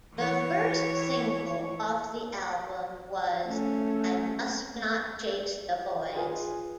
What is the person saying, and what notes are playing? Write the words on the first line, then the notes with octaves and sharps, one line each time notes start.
The first single off the album was "I Must Not Chase the Boys".
E3 C#5
A3 C#4
F4 G#4 B4 G#5